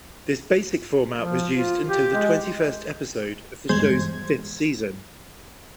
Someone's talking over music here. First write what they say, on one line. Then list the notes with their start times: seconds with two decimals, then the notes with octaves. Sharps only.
This basic format was used until the twenty-first episode of the show's fifth season.
1.18 F3
1.56 F4
1.89 G4
2.14 G#3
3.69 G#1 E2 G2 G#3 C5 G#6